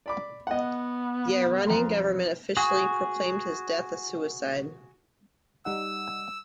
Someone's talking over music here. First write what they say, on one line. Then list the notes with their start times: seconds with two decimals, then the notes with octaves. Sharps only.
The Iranian government officially proclaimed his death a suicide.
0.06 D5 B5 D6
0.47 B3 D#5 F#5
1.67 F2 A#5 C6
2.57 F#4 G#4 G#5 C#6 D#6
5.65 G3 D#4 F#5 E6